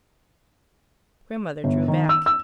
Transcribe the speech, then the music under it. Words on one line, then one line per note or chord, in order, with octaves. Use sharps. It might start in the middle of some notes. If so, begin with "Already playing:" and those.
Grandmother drew back.
G1
D#3
E6
E6